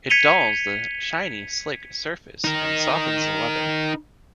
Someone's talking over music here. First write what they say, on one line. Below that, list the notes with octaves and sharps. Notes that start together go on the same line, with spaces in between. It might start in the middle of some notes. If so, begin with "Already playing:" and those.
It dulls the shiny, slick surface and softens the leather.
G#6 B6 C#7 D#7 F7 G7
D#4 A#4